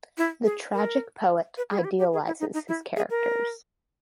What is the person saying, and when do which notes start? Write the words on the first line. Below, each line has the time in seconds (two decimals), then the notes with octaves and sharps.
The tragic poet idealizes his characters.
0.18 E4
0.45 G#4
0.74 A#4
1.57 B4
1.70 G#4
1.78 E4
1.84 G4
1.99 G4
2.13 G#4
2.27 E4
2.40 D#4
2.54 D#4
2.68 E4
2.96 G#4
3.10 A#4